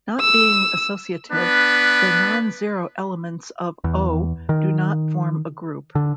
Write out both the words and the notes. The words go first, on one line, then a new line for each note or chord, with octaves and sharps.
Not being associative, the nonzero elements of O do not form a group.
E6
B3 D4 B4
E2
D#3
D3